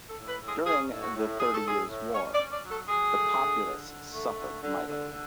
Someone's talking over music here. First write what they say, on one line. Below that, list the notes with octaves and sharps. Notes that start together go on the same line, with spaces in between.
During the Thirty Years' War, the populace suffered mightily.
A4
A2
B4
A2
G#4
C#4 G#4
A2
F#4
A2
A2 G#4
A4
A2 G#4
A2
C#4 C#5
D5
C#4
D5
F#3
A4
F#3 G#4
A3
D3
D3
D3
A3
D3
D3
D3
D3